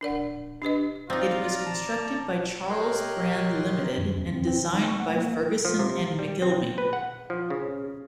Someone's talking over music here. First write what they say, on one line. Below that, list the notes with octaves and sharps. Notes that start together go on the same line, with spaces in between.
It was constructed by Charles Brand Limited and designed by Ferguson and McIlveen.
D4 A#4 D5 F#5
D4 G4 B4 D#5
C4 D#4 F4 D5 A#5
A5
G4 A#4 C#5 D#5 C6 F#6
F#2
E2
C4
C4
D#3
D#4
C#6
F#5
A#3
F3
C3
G3
C4
B4
F#5
F3
C#3